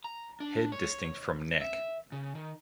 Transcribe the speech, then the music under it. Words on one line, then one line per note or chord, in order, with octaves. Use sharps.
Head distinct from neck.
A#5
D4
C#5
E5
C#3
D#3